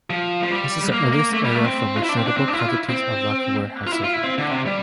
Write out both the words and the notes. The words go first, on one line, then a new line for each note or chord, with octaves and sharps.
This is the earliest era from which notable quantities of lacquerware have survived.
F3
F3
G3
A#3
A#3
A3
G3
A3
C4
F4
E4
D4
C4
D4
C4
D4
E4
F4
E4
C4
F4
E4
F4
E4
C4
D3
C3
G3